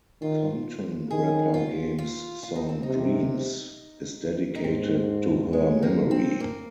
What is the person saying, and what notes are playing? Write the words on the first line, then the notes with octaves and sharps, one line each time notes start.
Compton rapper Game's song "Dreams" is dedicated to her memory.
D#3 F4
D#3 G#4
F4
F4
F4
D#4
C4
C3 D#4
D#4
G#2 C4
G#3
A#3
C4
A#3